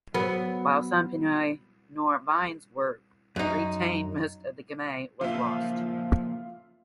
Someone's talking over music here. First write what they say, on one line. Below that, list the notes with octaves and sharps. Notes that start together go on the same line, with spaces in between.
While some Pinot noir vines were retained most of the Gamay was lost.
F#3 B3
F#2 D#4
F#2 A#2 C#3 F3 F4 E5